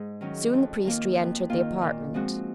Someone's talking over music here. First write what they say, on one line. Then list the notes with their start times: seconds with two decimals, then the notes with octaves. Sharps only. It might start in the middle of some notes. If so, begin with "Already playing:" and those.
Soon the priest re-entered the apartment.
Already playing: G#2
0.21 D#3 F#3 C#4
0.53 F2
0.84 D#3 A#3 F4
1.17 F2
1.50 D#3 A#3 F4
1.82 A#2
2.14 F3 G#3 C4 F#4